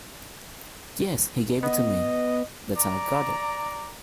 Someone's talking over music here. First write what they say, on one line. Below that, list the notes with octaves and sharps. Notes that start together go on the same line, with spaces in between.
Yes, he gave it to me. That's how I got it.
B3 D#5
D5 A#5